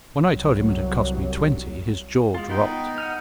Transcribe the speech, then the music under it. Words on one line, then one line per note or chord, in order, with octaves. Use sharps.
When I told him it had cost me twenty, his jaw dropped.
C2 F#3
G#3 F4
B3 D#4 G5
F#5 G#5 F6